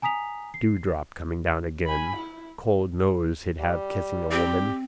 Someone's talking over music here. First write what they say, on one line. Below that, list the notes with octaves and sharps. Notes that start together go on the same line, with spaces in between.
Dewdrop coming down again. Cold nose he'd have kissing a woman.
G#5 A#5 D#6 B6 F7
C7
G#5 B5
E4
G3
C4 G4